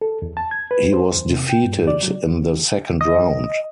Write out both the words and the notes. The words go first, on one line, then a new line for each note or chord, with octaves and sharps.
He was defeated in the second round.
A4
E2
A5
G#6
B4
C5
E2
C3
G5
G2
D5
F#3
D#5